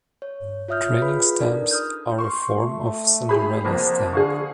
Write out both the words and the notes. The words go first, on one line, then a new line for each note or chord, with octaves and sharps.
Training stamps are a form of cinderella stamp.
C#5
F4 C#5 E5 D#6 F6 G6
F4 G#4 B4 B5
D4 D#4 A4 A#4 D5
D#6 F6 G6
C6 C#6
A3
G4 G#4 B5
C2 F3 A#3 C5
D3 G#4 F5 C#6